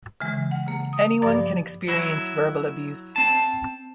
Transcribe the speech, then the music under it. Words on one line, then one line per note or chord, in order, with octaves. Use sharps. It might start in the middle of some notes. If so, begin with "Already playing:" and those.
Anyone can experience verbal abuse.
C#3 E3 G#3
F#5
C#3 A#3
D#6
G2 F3 D5 D6
F#3 E4
C4 A5